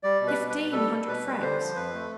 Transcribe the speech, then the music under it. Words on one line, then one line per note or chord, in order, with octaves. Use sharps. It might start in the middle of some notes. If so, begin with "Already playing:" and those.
Fifteen hundred francs!
G3 D5
B2
B4
B2
B4
G3
G3 A4
B2
B2 B4
G3
D3 C5
F3
F2 B4
A3